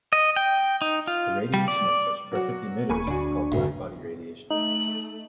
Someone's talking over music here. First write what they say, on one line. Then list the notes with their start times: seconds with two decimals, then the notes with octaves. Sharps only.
The radiation of such perfect emitters is called black-body radiation.
0.13 D#5
0.36 G5
0.82 D#4
1.07 F4
1.54 G3
1.68 D5
2.32 F#3 F#4
2.90 D#1 A#3 G#5 B5 C#6
3.07 D2 D4 F#4
3.52 F1 D2 G#2 C3
4.51 A3 D#4 F#7